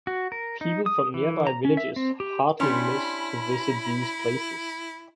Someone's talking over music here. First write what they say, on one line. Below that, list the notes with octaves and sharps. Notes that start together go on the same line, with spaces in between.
People from nearby villages hardly miss to visit these places.
F#4
A#4
D#4
D#6
E3
A#5
C#4
E5
C4
G4
C#4 D4 E4 G4 G#5 B5 C6